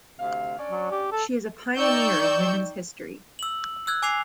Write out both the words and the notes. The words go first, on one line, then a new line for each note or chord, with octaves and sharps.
She is a pioneer in women’s history.
D2 C3 F5
C#4 D4 D5
F#3
G4
A4
D#4 D5 G5 C#6 E6 G6
E6 F#7
E6 F#6 G#6
G#5 D6 G#6 C7 F7